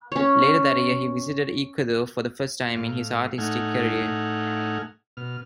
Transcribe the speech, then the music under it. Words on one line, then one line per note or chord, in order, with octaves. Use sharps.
Later that year he visited Ecuador for the first time in his artistic career.
C#4 C#5
A2 F5
A2 A3 D#4 F#5 G#5 F6
B2 F6